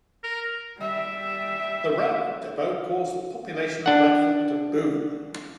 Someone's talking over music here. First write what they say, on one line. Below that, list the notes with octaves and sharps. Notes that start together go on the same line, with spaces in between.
The Railroad Depot caused the population of Radford to boom.
A#4
G3 E5
D4 F#5